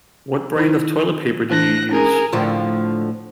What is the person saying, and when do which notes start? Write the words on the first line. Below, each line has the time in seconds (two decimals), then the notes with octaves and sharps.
What brand of toilet paper do you use?
0.55 D#3 D#4 E4
1.51 E3 D4 F#6 A#6
1.91 C#4 G#4 A#4
2.32 A2 D3 F3